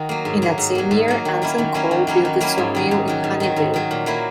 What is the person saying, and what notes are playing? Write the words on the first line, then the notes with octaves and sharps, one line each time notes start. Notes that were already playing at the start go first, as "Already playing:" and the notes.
In that same year Anson Call built a sawmill in Honeyville.
Already playing: D#3 D#4 F#4
F#3 A#3
G#2
F#3 A#3
G#2
F#3 A#3
G#2
F#3 A#3
D#3
F#3 A#3 C#4 E4
D#3
F#3 A#3 C#4 E4
D#3
F#3 A#3 C#4 E4
D#3
F#3 A#3 C#4 E4
G#2
D#3 F#3
G#2
D#3 F#3
G#2
D#3 F#3
G#2
D#3 F#3
A#2
F#3 A#3 E4